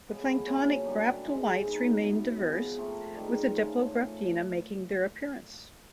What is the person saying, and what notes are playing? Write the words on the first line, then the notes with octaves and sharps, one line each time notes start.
The planktonic graptolites remained diverse, with the Diplograptina making their appearance.
A2 F3 G#3 B3
A#2 F#3 A3 C#4
F#2 D3 G3
E3 G#3 C4
A#2 F#3 B3 D#4
B2 F#3 B3 E4
C3 F3 G#3 B3
A3 C4 F4 A#4
G#2 D#3 G3
F3 A3 C#4 F4
A3 C#4 F4